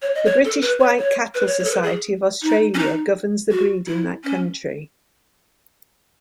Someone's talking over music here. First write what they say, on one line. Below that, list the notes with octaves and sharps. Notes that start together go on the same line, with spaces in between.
The British White Cattle Society of Australia governs the breed in that country.
C#5
D#5
C#5
A4
B4
C#5
C#5
B4
C#5
C#5
A4
B4
G#4
D#4
C#4
D#4
F#4
E4
C#4